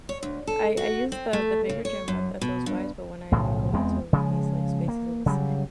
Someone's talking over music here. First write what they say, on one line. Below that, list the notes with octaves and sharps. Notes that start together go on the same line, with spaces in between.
I I used the the bigger gym at at those Ys, but when I would go into these, like, spaces, it was
C#5
D2
A4
F#4
C4
A3
C#3
C#5
F#2
B2
G2
B1 A2 C#3 F3
E2 G#3 B3 C4
C#3 F3 G#3
A#3
C#3 F#3 G3